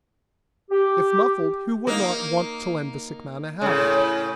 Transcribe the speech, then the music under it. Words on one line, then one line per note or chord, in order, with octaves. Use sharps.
If muffled, who would not want to lend the sick man a hand?
G4
A#3 D#4
A2 C#3